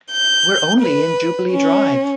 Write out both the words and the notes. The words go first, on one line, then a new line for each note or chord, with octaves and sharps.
We're only in Jubilee Drive.
G6
B4
C#4